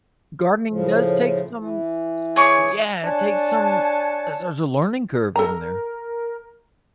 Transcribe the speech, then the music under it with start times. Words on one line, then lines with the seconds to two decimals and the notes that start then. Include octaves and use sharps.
Gardening does take some s Yeah, it takes some as there's a learning curve in there.
0.69 A2 C#3 F3
1.57 E3
2.36 G#4 C#5 D6
3.04 D4 C#5 F#5 G#5 A5
5.36 A4 A#4 A#5